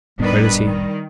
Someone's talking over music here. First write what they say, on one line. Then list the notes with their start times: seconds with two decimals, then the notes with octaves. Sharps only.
"Where is he?"
0.19 F1 A2 D#3 G3 B3 D4 B4
0.65 D#3